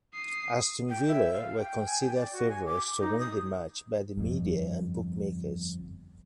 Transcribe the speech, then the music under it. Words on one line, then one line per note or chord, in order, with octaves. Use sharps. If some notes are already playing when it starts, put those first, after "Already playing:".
Aston Villa were considered favourites to win the match by the media and bookmakers.
D#6 C7
G5
E5
F5
G5
G#5
G5
D5
F#4
G#5
D6
D#4
D#6
G1 F2